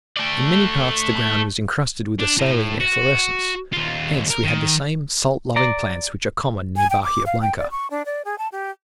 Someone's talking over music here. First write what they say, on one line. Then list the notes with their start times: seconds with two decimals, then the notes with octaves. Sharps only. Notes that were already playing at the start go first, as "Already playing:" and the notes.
In many parts the ground was incrusted with a saline efflorescence; hence we had the same salt-loving plants which are common near Bahia Blanca.
0.17 A3 D5
2.19 D4
2.38 A2
2.80 F#4
3.73 D#2 F4
4.30 A#4
4.44 D#3
5.56 D5 A#5
6.76 G#5
6.90 G5
7.03 D6
7.26 F5
7.41 G5
7.58 D5
7.71 C#6
7.90 D4
8.06 D5
8.25 G#4
8.38 A5
8.52 G4